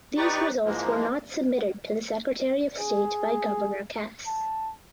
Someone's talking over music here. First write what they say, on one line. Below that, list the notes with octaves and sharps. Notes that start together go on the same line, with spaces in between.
These results were not submitted to the secretary of state by Governor Cass.
D#4 G4 B4 D5 C#6
G#2 E3 F3 G#3 A#3
G#4
A5